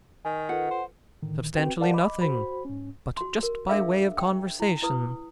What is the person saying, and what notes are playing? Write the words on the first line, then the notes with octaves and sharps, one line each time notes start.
"Substantially nothing--but just by way of conversation."
D#3 G#5
F4 A4 B4 F#5
C5
A2 D3 D#3
C4 F#4 B4 G5
A#4 B4 D5 F5 F#5 A5
D#5 B5 D6
F#4 C5 B5
G#2 C#4
F#4 C6
A#4
D4 G#4 E5 F5 E6
G5
E4 G#5
E4 B4 D#6